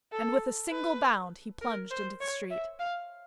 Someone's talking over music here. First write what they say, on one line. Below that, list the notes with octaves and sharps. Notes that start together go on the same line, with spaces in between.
And with a single bound he plunged into the street.
A4
B4
A#4
C5
C#5
E5
F5